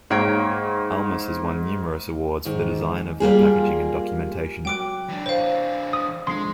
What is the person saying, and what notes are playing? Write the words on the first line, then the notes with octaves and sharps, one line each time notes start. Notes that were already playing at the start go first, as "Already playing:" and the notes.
Almus has won numerous awards for the design of their packaging and documentation.
G#2 A#3 C#5 G5
G#2 D#3
G3 A#3 F4 G#4
F#3 G5 D6 F#6 D7
E3 D4
C5 C#5 F5
D#6
D3 F3 G#3 F4 C6 C7